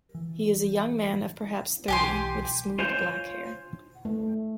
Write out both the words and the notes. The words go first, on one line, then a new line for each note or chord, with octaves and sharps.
He is a young man of perhaps thirty, with smooth, black hair.
E3
B1 E3 G4 G#5 C6
F4 C5 C#5 G#5 G6
A3